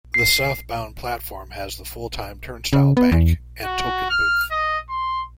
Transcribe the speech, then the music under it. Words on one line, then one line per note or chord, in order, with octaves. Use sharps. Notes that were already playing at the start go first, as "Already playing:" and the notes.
The southbound platform has the full-time turnstile bank and token booth.
C7
C#3
B3
E2
F#4
F6
D#5
C6